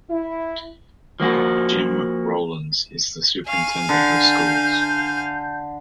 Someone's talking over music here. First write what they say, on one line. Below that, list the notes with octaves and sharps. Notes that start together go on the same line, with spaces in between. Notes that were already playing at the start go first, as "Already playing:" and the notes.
Doctor Jim Rollins is the Superintendent of Schools.
E4
F3 A#3 F#4
F5 G#5 C#6
D3 G6